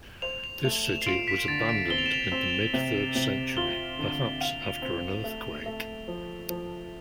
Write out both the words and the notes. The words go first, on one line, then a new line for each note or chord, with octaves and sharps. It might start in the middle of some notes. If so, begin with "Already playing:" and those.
This city was abandoned in the mid-third century, perhaps after an earthquake.
C5 F7
F7
A3 F7
E7
C7
F4 D7
B6
D3 A6
D7
C4 G7
F7
E7
F7
C4
C3
C3
F4 G7
D3
F5 F7
C4
A3
A3
F3
F3